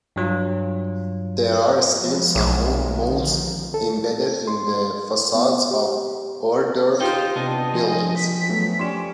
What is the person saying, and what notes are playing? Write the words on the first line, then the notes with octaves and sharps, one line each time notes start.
There are still some old molds embedded in the facades of Ohrdruf buildings.
G2 F#3 F4
F3 G#3 B3
B1 D#3 G#3
D3 D#3 F3
A4
C6
B3
G4
D#4 F4 G4 C5 G5
C3 B3 D4 D#5
F3 G#3 C4 G#5
B6
F#3 A3 B3
G3 C#4 G#5 C6 D6 E7